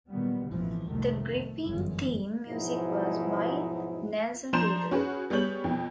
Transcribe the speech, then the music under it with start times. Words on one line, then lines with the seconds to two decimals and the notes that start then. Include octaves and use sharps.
The gripping theme music was by Nelson Riddle.
0.10 A#2 D#3 F#3 G3 B3
0.50 A1 F2 B2 E3 F3
0.86 C2 F2 A2 D#3 A3
1.64 G1 F#2 E3 G#3
2.48 G#2 B2 F3 F#3 D#4 E4
4.53 F3 D4 A#5 C6 G6 E7
4.91 C#4 F#4 G#4 B4
5.30 G3 B3 G#4 C#5 G6 F#7
5.64 F2 B2